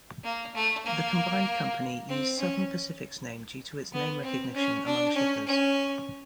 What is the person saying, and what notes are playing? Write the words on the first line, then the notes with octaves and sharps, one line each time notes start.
The combined company used Southern Pacific's name due to its name recognition among shippers.
A#3
A3
A#3
C4
C#4
B3
C4
C#4
D4
C#4
C#4